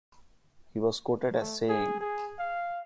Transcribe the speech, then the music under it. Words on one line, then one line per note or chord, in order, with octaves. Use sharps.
He was quoted as saying.
A3
G#4
G#4
F5